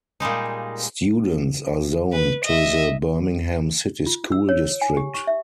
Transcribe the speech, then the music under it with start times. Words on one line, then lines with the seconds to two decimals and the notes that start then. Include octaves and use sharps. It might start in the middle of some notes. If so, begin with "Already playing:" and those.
Students are zoned to the Birmingham City School District.
0.20 A#2 G3 G#3 D#4
2.12 B4
2.45 D#5 E5
4.06 F4
4.32 E6
4.49 C#5
4.81 G#5
4.97 G4
5.14 C#6
5.27 E5